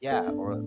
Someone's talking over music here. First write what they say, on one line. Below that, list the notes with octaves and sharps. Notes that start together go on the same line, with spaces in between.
Yeah, or
B3 A4
D4
A2